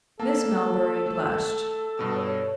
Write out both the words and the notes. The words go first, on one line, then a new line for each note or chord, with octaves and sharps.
Miss Melbury blushed.
A#3 A4 A5
A3
G2 B2 E6
C#5